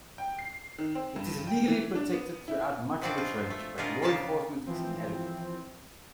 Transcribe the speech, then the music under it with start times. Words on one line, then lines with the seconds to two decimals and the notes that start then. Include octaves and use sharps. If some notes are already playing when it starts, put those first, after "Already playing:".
It is legally protected throughout much of its range, but law enforcement is inadequate.
0.18 G5
0.39 C7
0.78 D#3
0.95 C4
1.16 G2
1.47 G5
1.68 E3
1.95 D4
2.13 B3
2.48 E4
3.01 B2 F3 C4 D4 F#4 D5
3.18 F4
3.50 A3
3.78 B2 D4 F4 G#4 A#4
4.02 C#3 A#3 B3 D5 F5 A5
4.66 E3 F3 C4